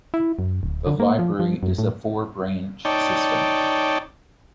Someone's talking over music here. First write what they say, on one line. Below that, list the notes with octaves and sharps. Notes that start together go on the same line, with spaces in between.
The library is a four-branch system.
E4
F#2
D1
D3
A#3
F3
F3
F#2
A2
D#4 C#5 D5 G5 A5